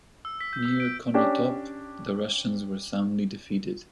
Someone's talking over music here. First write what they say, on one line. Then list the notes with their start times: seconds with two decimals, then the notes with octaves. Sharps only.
Near Konotop, the Russians were soundly defeated.
0.25 E6
0.41 B6
0.53 G6
0.65 E6
0.80 D7
1.14 C#4 D4 G4